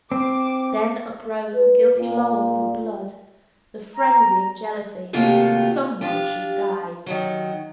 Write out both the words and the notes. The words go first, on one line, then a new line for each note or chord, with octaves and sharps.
Then uprose the guilty longing for blood!--The frenzy of jealousy!--Some one should die.
C4 D6
B4
A#2
A#5
D#2 C3 A3 A#3 F4 F#4
D4 F4 G4
D#3 E3 F#3